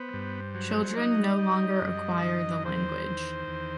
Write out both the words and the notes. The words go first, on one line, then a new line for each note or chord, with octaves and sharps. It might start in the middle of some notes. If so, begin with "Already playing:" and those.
Children no longer acquire the language.
Already playing: B3 C5
G2
F#3
D#4 D#5
G3
F#2
D#3
E2 C5
D#3
E2